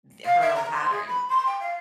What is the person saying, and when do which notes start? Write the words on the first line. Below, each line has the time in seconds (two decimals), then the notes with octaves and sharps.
the her own pattern
0.25 F5
0.40 E5
0.55 A#5
0.73 C6
0.90 G#4
1.06 B5
1.28 C6
1.45 G5
1.60 F5